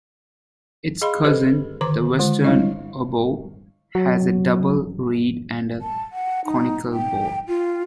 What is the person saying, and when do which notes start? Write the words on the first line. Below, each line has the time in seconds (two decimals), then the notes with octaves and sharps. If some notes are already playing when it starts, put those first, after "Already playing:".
Its cousin, the Western oboe, has a double reed and a conical bore.
1.02 G#4 D#5 F5 B5 C6
1.24 G4 A4 B4 C5 D#5
1.81 D3 D#3 B4 A#5 D6
2.18 D3 G#3 F4
2.44 G3 D4 E4 C#5 D#5
3.95 F#3
5.81 A5
6.12 F#5
6.45 D#4
6.93 G5
7.48 F4